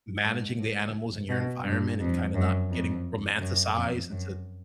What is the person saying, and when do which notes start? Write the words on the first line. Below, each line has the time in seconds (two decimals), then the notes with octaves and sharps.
managing the animals in your environment and kind of not getting romanticized into
0.24 G#2
0.59 A2
1.29 B2
1.64 G2
2.00 F2
2.34 F#2
2.70 F2
3.39 F#2
3.75 F2
4.10 F#2